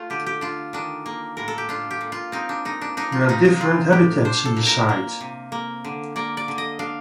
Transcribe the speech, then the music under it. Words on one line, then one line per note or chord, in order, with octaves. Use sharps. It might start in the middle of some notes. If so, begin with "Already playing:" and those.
There are different habitats in the site.
Already playing: A3 F4
D3 G4
G4
D4 F4
D#3 D4
A#3
A2 A#4
A4
G4
D4 F4
G4
A#2
F4
C4 D#4
D4
A#2 D#4
D4
D4 D#4
F4
C3 D#4
D#4
C4 F4
A2 G4
D4 C5
A4
A#2
A#4
A#3
C3
A#3
D3
A#3 D5
D5
D3
D#5
D4 F5